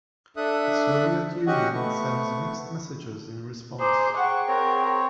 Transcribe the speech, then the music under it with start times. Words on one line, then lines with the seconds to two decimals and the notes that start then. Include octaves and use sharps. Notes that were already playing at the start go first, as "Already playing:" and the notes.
The Soviet Union sends mixed messages in response.
0.37 D4 A4 E5 D#6 F#6
1.47 C#4 F#4 G4 D#5 F#5 C#6
1.73 A3 B3 C#6
3.80 G#4 C5 A#5 D6
4.16 G#4 F#5 G5 C#6
4.48 C4 A#4 C#5